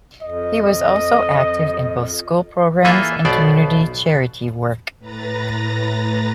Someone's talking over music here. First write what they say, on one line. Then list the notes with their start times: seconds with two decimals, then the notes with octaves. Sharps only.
He was also active in both school programs and community charity work.
0.22 F2 D#5
2.85 E3 A#3 F4 G#4 A4 E5
3.25 B1 B2 B3 C5 D5
4.99 A2 B4 A#5 A6 A#6